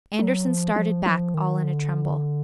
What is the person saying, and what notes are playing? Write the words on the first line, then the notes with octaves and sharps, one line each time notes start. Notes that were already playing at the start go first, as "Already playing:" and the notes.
Andersen started back all in a tremble.
F#3
F3
F3
F3
D#3
D3